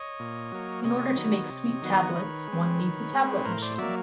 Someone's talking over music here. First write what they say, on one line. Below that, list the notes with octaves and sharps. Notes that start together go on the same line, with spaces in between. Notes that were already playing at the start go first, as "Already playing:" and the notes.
In order to make sweet tablets, one needs a tablet machine.
Already playing: C#5 D#5
A#2
F#3 A#3
C3 C#5 D#5
D#3 F#3 B3
C3
D#3 F#3 B3
D#3 B4 C#5
G#3 C4
D#3
G#3 C4
A2 A#4 C5
C5 D5
F#3 A#3 D5 E5